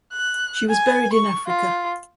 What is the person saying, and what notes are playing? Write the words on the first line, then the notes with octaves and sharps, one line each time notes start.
She was buried in Africa.
F#6
G#5
C#6
F4